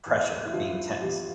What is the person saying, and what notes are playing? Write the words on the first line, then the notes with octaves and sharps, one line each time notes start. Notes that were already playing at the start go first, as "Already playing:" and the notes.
pressure, being tense?
E2
E4
D3 F3 F4
E2 G4